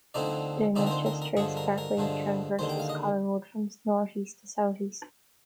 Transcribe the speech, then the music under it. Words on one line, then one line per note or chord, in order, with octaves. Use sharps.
The Natchez Trace Parkway traverses Collinwood from northeast to southwest.
D2 D3 F3 C4 D#4 D5
D2 D3 F3 C4 D#4 D5
A#4
C5
A#4
A#4
G2 D3 F3 G#3 G#4
A#4
A#4
G2 D3 F3 G#3
D#2 D3 G#3 C5
G5
F5
D#5